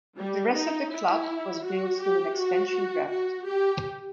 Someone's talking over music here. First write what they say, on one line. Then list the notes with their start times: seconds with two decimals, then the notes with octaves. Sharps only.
The rest of the club was built through an expansion draft.
0.18 G3
0.55 D#4
0.92 E4
1.65 F#4
2.01 G4
2.37 F#4
3.11 F#4
3.47 G4